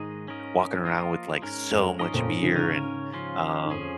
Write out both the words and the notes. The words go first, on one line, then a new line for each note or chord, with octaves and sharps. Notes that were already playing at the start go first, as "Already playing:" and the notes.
walking around with, like, so much beer, and, um
Already playing: G#2 D#3 G#3 D#4 G#4 D#5
C#4 A#4 D#5
F3 A#3 F4 A#4 D#5
G#2 G#3 C#4 A#4
F2
G#2 F3 C#4 A#4 D#5
F2 A#2
G#2
G#2 C#3
D#3
G#2 C#3 C#4 A#4 C#5
F3 C#4 F4
G#2
F2 F3 C#4 G#4